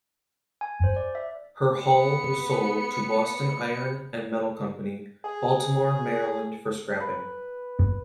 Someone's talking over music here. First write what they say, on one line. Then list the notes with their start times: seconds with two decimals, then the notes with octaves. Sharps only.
Her hull was sold to Boston Iron and Metal Company, Baltimore, Maryland, for scrapping.
0.61 G#5
0.84 C5
0.96 D5
1.15 E5
1.79 B3 C#7
5.25 G#4
7.00 B4